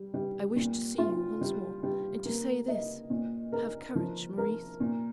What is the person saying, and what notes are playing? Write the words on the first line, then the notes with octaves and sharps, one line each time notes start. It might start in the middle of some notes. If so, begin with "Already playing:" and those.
I wished to see you once more, and to say this: Have courage, Maurice.
Already playing: G3
G3
A#2
F4
G3
G3
A#3
D#5
A#2
A#4
F3
A#4
A#2